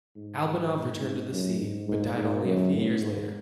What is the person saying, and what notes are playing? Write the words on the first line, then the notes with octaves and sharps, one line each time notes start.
Albanov returned to the sea, but died only a few years later.
G#2
G#2
F#2
G#2
G#2
G#2
F#2
A2
G#2